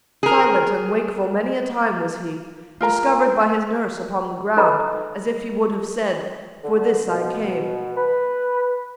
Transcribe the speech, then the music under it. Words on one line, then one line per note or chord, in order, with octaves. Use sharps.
Silent and wakeful many a time was he Discovered by his nurse upon the ground, As if he would have said, 'For this I came.'
G#4 A#4
F4 A#4 A#5
D#4 A4 B4 D#5 A#5 B5
D3
B2
B4